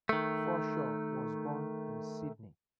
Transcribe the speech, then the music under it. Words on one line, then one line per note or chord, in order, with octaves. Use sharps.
Forshaw was born in Sydney.
D#3 A3